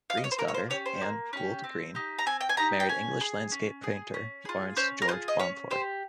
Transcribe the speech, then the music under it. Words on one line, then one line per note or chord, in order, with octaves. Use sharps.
Green's daughter, Anne Goold Green, married English landscape painter Laurence George Bomford.
F5
D#5
C#5
C5
A#3 A#4
C#5
C5
C#4 G4 C#5
C5
A#3
C#4 G4
C4
D#4 G4
A#5
C4 G#5
G5
G#5
D#4 G4 A#5
G5
C#4 G#5
G#4
C#4
G#4
C#4
F4 G#4
C#4 C5
A#4
F4 G#4 C5
D#5
C#4 C#5
G4 C5